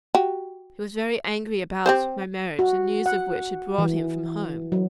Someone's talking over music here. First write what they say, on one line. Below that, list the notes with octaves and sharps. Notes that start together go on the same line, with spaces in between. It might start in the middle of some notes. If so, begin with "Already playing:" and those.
He was very angry about my marriage, the news of which had brought him from home.
F#4 G4
C4 G4 C5
F#4
F#5
E3
F#3